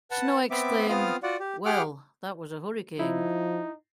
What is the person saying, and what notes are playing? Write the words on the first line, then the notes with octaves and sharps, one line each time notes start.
Snow exclaimed, Well, that was a Hurricane.
B4 F#5 A5
B3 C4 E5 D6
B3 C4 F4 F5 D#6 F6
F4 F#4 D5 F#5
G4
G4 G#4 F#5 D6 F6
F3 D#4 E4